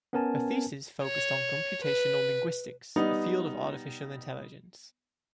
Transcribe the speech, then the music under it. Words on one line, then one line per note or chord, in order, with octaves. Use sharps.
Her thesis focused on computational linguistics, a field of artificial intelligence.
B3 C#4 A#4 G#5 A5
C#5
B4
G3 B3 D#4